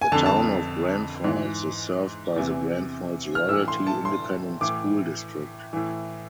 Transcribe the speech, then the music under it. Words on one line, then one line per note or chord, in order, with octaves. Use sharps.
The Town of Grandfalls is served by the Grandfalls-Royalty Independent School District.
G#5
F2 D3 A5
A5
G#2 E3
E2 C3 E3
F6
A2 E3 E6
C6
A5
C6
A2 E3 D6
A2 E3